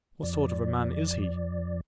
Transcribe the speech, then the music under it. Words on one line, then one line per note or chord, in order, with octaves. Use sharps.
"What sort of a man is he?"
F2 F3 D5